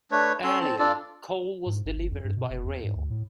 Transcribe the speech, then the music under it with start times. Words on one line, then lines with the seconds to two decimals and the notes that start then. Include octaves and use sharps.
Earlier, coal was delivered by rail.
0.11 A3 D4 B4 C#5
0.44 C#4 A4 C6
0.61 C4 A5
0.79 D4 F4 A4 D5
1.66 G#2
1.85 G#1
1.96 G1
2.11 F2
2.24 G2
2.36 B2
2.50 F1
2.65 E2
2.83 G#2
2.95 D2
3.10 A2